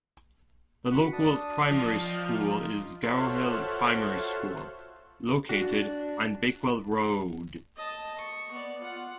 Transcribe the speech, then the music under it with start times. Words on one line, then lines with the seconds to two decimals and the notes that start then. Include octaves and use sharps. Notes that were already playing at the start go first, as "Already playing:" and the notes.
The local primary school is Garrowhill Primary School, located on Bakewell Road.
0.91 F#4 B4 F#5
1.13 D4 A5 D#6
1.70 F3
2.05 D5 D#5 G5
2.29 D#4 F4
3.03 F4 F#4 A4 C5 C#5 E5
5.49 D4 F#4
7.77 D#5 A5
8.18 C#6
8.52 B3 D5
8.81 F4 F#5